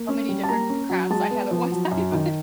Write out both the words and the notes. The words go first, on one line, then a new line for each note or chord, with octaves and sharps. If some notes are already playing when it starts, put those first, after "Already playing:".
how many different crafts I have at one time,
Already playing: A#3
C#4
G3
A5
A#3 A#5
C#4
F#3
G#3 A5
B3
F3
F#3
F#2
D#3